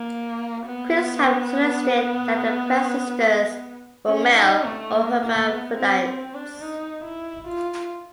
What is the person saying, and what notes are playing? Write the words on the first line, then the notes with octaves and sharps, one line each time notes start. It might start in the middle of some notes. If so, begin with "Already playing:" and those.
Critics have suggested that the Press sisters were male or hermaphrodites.
Already playing: A#3
B3
C#4
D#4
A3
A#3
A#3
B3
C4
C4
D4
D#4
E4
F4